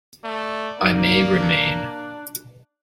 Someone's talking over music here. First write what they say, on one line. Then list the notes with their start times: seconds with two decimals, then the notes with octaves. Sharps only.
I may remain.
0.25 A3 D5
0.80 A#3 D#4
1.39 D4